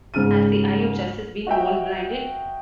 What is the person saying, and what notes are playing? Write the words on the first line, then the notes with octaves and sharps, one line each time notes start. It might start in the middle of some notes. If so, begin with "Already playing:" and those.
Has the eye of Justice been mole-blinded?
G#2 C#3 F6 D#7
F#4 D#5 E5 G5